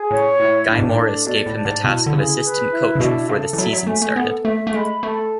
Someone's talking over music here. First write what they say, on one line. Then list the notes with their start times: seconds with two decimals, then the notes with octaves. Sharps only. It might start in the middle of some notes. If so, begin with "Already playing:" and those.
Guy Morriss gave him the task of assistant coach before the season started.
Already playing: G#4
0.11 A2 C#5
0.39 A2 E4
0.68 A2 D4
0.79 G#2
0.89 A2
0.97 A4
1.26 B2 D5
1.46 A2
1.55 A5
1.65 G#2
1.84 B2 E4
2.06 D3
2.14 C#3 G#4
2.43 B4
2.71 E4
2.95 C#3
3.00 B2 D4
3.29 C#3 A4
3.53 E3
3.58 F#3 E5
3.73 F#3
3.87 A3 G#5
4.02 A3
4.16 B3 A4
4.45 A3 E5
4.67 A3
4.74 G#3 B5
5.03 A3 A4